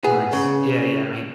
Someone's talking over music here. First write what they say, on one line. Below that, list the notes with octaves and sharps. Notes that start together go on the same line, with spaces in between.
Nice. Yeah, yeah, I mean,
B3 G#4
C#3